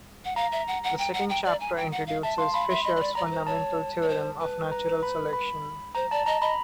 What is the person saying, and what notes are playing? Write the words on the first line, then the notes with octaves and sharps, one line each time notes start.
The second chapter introduces Fisher's fundamental theorem of natural selection.
F#5
F5 A#5
E5
F#5
F#5
G5
F#5
G5
D5
G#5
G5
F#5
F5
E5 A5
F5 C6
F5 B5
E5 C6
D#5 B5
D#5
D5
D5 A#5
B4
C5
C#5 A5
C#5
C5
B4
A#5
B5
B5
C5 A#5
D5 A5
D#5 A#5
D#5 B5